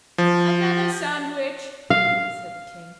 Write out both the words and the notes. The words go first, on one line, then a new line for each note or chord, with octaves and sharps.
'Another sandwich!' said the King.
F3
F5